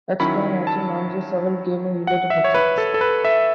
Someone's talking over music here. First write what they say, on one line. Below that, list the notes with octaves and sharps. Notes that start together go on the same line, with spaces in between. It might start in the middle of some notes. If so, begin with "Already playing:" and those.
H-Town also manages several gaming-related websites.
D#3 F#3 C#4 E4 B5
A5
F#5
E5
C#5
B4
A4
A4
B4
E5